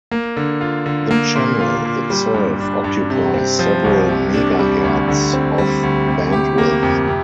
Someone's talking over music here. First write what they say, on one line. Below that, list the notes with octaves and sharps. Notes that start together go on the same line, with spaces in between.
The channel itself occupies several megahertz of bandwidth.
A#3
D3
F4
D3
A#3
A#2
F4
A#2
G3
G2
D4
G2
C3
C4
F3
C2
C3
D4
G3
D2
D3
C4
G3
D2
C3
G4
A#3
F2
C3